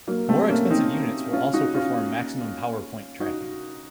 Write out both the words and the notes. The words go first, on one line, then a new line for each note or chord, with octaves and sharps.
More expensive units will also perform maximum power point tracking.
F#3 A#3
A3 C4
A#3 C#4
C4 D#4
C#4 F4
D#4 F#4
C#4 F4
D#4 F#4